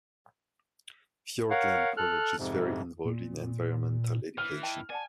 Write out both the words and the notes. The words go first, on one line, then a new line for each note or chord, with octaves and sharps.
Fiordland College is very involved in environmental education.
A#4 C#5 F5 F#5
A4 F6 F#6
F2 G#2 C3
A#2
E3 F6
D#5 G5 A5
D5 F#5 G#5 A5